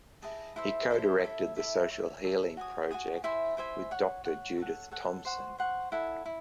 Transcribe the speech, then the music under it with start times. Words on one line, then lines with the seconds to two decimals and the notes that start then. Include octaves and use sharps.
He co-directed the Social Healing Project with Doctor Judith Thompson.
0.22 E4 G#4 D#5 A5
0.56 E4 A4 C5 E5
0.89 E4 A4 C5 E5
1.23 E4 A4 C#5 E5
1.56 E4 A4 C#5 E5
1.90 C#5 E5 A5
2.23 C#5 E5 A5
2.57 F#4 C#5 G#5 D#6
2.91 F#4 C#5 G#5 D#6
3.24 E4 C5 E5 G#5
3.57 E4 C5 E5 G#5
3.91 C#5 F#5 C#6
4.24 C#5 F#5 C#6
4.58 A4 C#5 F#5
4.91 A4 C#5 F#5
5.25 C5 F#5 C#6
5.58 C5 F#5 C#6
5.92 E4 A4 C#5 F#5
6.26 E4